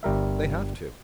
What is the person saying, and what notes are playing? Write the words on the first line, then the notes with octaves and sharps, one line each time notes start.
They have to.
G1 G3 A#4 E5